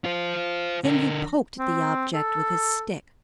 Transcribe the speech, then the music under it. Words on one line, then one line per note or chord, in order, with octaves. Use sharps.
Then he poked the object with his stick.
F4 C5
D3 A#4
C4
A4